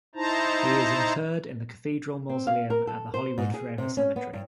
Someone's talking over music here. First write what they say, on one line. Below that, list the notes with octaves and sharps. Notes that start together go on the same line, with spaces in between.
He is interred in the Cathedral Mausoleum at the Hollywood Forever Cemetery.
D#4 E4 C5 A5 A#5
C4
F5
A#4
A4
C5
G#2
G#4
C3
C#4
B3
G2